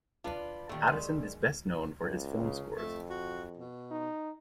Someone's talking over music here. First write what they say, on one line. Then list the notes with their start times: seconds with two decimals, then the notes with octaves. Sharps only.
Addison is best known for his film scores.
0.24 D4 F4 B4 D5
0.69 A#2 D#3 G3 A3
0.87 G#3
2.03 C#2
2.43 C#3
2.77 F2 A3
3.10 F#4
3.57 B2
3.91 D#4